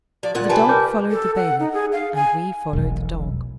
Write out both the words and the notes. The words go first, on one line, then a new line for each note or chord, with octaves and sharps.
The dog followed the bailiff, and we followed the dog.
F3 D5
D2 A#2 F4 F#5
C3 G3 B4 G#5 A5
A#4 D6 G6
A4
F#5
D#4
G#4
F5
G#5
E1 B1